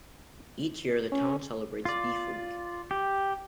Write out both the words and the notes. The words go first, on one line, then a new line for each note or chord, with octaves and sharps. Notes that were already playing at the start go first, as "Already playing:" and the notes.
Each year the town celebrates Beef Week.
C#4
F4 D5
G4